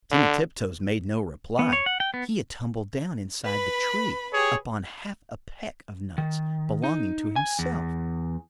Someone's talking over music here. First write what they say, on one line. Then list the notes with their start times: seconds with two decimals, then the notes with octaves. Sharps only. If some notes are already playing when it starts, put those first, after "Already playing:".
Timmy Tiptoes made no reply; he had tumbled down inside the tree, upon half a peck of nuts belonging to himself.
0.11 D3
1.59 B3
1.73 C#5
1.86 F#5
2.00 G5
2.14 B3
3.44 B4 B5
4.34 G4 G#4 C#5
6.18 D#3
6.84 D#4
7.36 G#5
7.59 E2